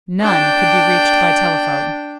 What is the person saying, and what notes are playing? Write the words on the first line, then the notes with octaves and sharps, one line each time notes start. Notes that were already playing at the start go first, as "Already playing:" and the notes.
None could be reached by telephone.
D4 G5